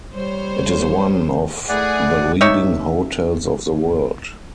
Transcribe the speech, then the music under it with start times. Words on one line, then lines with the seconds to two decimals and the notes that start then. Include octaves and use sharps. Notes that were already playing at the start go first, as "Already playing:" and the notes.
It is one of "The Leading Hotels of the World".
0.14 G3 C5 C#5
1.69 A3 E4 G#4 D5 F#5
2.41 C3 D#4 C#5 E5